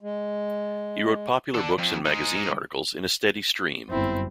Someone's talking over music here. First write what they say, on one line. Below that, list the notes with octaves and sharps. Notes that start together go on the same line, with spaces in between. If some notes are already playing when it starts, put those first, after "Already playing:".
He wrote popular books and magazine articles in a steady stream.
G#3
D4 A4
F2
G#3 D#4
G1 F#2 C4 E4